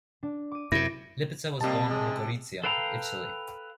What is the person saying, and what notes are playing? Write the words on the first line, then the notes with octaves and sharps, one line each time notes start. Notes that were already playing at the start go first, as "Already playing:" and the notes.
Lipizer was born in Gorizia, Italy.
D4
D6 D#7
F#2 C3 E4 A#6
C3 G3 A#3 D#5 A5
G#3
A4 B4 F5 G5 A#5